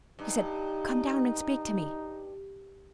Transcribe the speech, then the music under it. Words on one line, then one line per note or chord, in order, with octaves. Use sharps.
He said, 'Come down and speak to me!
G2 D#4